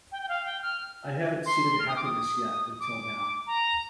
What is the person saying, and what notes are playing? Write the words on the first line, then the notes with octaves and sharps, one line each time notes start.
I haven’t seeded happiness yet until now.
G5
G5
F5
G5
F6
C6
F6
D#6
D6
D#6
D6
A#5